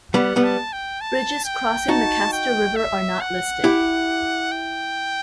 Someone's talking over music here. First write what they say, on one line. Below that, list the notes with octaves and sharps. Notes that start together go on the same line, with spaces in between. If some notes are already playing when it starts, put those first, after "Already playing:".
Bridges crossing the Castor River are not listed.
G3 B3 F#5
G3 B3
A5
G5
A5
G5
D#4 F#4 A5
G5
E5
F#5
E4 G4
G5